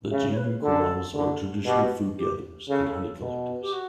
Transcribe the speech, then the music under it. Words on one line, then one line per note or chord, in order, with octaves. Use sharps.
The Jenu Kurubas are traditional food gatherers and honey collectors.
C#3 E5
C#5
B4
D3 A4
D3
B2 G4
G4
C#3 A4
B2
G4
F#4